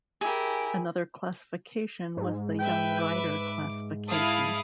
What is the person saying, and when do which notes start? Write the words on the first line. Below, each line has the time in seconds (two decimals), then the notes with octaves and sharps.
Another classification was the young rider classification.
0.21 E4 G4 G#4 A#4
2.17 G#2
2.59 B4 E5 G5
2.99 D6
4.08 E4 F5 A5 D#6